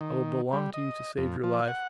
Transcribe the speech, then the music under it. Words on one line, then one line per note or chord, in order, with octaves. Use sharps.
I will belong to you to save your life.
D#3
G3
D#5
F2
F3
F#5